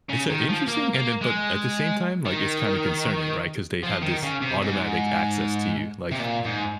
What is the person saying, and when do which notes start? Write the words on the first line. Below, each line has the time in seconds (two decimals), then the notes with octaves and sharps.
It's, uh, interesting, and then but at the same time, like, it's kinda concerning, right, 'cause they have this automatic access to you, like
0.09 C#3
0.30 D#3
0.48 F3
0.68 A#3
0.94 A#3
1.21 G#3
2.26 D#3
3.83 F3
4.02 D#3
4.23 C#3
4.41 C3
4.62 G#2
6.11 C3
6.19 A#2
6.45 G#2